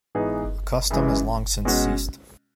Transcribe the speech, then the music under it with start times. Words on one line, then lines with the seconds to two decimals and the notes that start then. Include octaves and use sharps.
The custom has long since ceased.
0.15 G#2 E3 B3 D#4 G#4
0.90 F#2 C#3 E3 G#3
1.65 B2 G#3 C#4 F#4